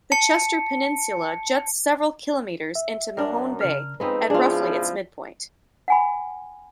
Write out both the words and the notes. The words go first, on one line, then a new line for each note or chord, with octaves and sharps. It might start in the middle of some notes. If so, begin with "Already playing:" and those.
The Chester Peninsula juts several kilometres into Mahone Bay at roughly its midpoint.
A5 C#7
E5
F#2 D4 A#4
C#3 F6
F2 G#3 B3 C4 D#4 B4
C#2 F3 D4 E4 F4 G#4
F#5 G#5 B5